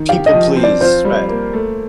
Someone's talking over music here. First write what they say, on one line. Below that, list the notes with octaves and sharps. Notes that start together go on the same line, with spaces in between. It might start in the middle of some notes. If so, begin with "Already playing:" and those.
People please, right.
Already playing: D#3
G4 F5
D#5
F3
C4
D5
F4 C5
G3
A#3
A3